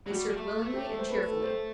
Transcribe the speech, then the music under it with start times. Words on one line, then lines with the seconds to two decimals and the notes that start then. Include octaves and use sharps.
They served willingly and cheerfully.
0.07 F#3
0.12 G3 F#4
0.29 G3
0.37 A3
0.61 A3
0.74 G4
0.86 A4
0.99 C5
1.10 B4
1.28 A4
1.44 C5